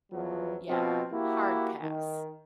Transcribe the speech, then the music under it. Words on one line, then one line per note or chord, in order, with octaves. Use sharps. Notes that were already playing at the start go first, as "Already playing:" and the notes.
Yeah, hard pass.
E2 F3 F#3 B3
B2 F3 C4
A#3 E4 F#4 G4
D#3